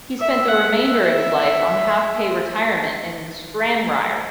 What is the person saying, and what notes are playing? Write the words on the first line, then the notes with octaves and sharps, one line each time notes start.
He spent the remainder of his life on half pay retirement in Stranraer.
E5
F#5
E5